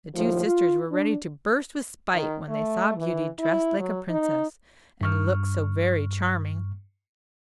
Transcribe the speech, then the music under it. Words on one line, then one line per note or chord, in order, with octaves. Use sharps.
The two sisters were ready to burst with spite when they saw Beauty dressed like a princess, and look so very charming.
D#2 A2 F3
F4
D4
D#3
A3
E3
E4
F#3
D#4
G2 C#6 F6